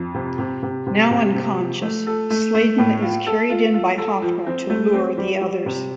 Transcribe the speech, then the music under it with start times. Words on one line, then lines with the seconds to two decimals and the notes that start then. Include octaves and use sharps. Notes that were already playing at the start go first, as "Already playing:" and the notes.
Now unconscious, Sladen is carried in by Hofner to lure the others.
Already playing: F2
0.14 C3
0.39 C3
0.63 C3
0.87 C3
1.11 C3
1.35 C3
1.58 F3
1.82 A3
2.07 A4
2.30 A3
2.55 A3
2.78 A2
3.02 F4
3.27 A4
3.50 F4
3.74 F4
3.98 A4
4.22 F3
4.47 C4
4.70 A3
4.94 C4
5.18 G3
5.41 G3
5.66 C3